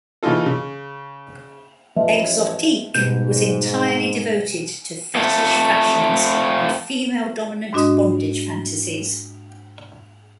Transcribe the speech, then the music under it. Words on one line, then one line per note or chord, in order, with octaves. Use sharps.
"Exotique" was entirely devoted to fetish fashions and female-dominant bondage fantasies.
C#3 E3 A#3 D#4 F4 A4
C#3
A1 F3 B4 D#5 E5
G#2 B2 G3 G6
F2 A3
G#2 G#3 D4 F#4 D#5 D#6